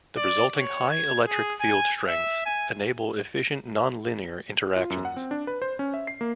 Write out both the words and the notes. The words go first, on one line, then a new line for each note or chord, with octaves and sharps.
The resulting high electric field strengths enable efficient nonlinear interactions.
D5
C#5
G#6
G#4
G#5
E5
G#5
F4
F#2
F#5
C4
D4
B4
C5
C#4
E5
C7
A#3